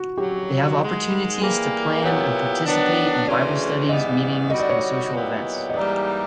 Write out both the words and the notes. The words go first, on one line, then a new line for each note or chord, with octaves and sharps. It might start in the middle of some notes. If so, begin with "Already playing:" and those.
They have opportunities to plan and participate in bible studies, meetings, and social events.
Already playing: F#4
F2 C#3 F#3 G4
G#2 D#3 G#3
E3 G3 A#3 G#4
A#2 F#3 B3 E4 G4 A#4
D#3 F#3 B3 D4
D2 C#3 E3 G#3 C#4 D5
G#2 E3 G3 B3 D#5
D3 G3 C4 D#4 F#4 D#5
D5
C#5
D5
A#2 F#3 B3 E4 G4
D#5
G#2 E3 G3 A#3 D#4 D5